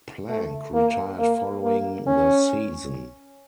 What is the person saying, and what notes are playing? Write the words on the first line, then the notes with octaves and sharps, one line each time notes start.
Plank retired following the season.
A3
A#3
A#3
A#3
C#4